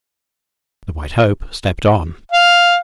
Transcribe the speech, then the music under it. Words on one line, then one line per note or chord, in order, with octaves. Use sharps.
The White Hope slept on.
F5